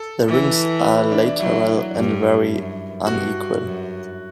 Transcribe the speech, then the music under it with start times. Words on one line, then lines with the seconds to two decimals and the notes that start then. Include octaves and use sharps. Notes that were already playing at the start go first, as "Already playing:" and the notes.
The wings are lateral and very unequal.
Already playing: A4
0.28 E3
0.84 B4
0.98 E4
1.12 D4
1.26 D4
1.39 F#3 E4
1.95 G2
2.51 F#2
3.06 G2 F#4
3.62 F#2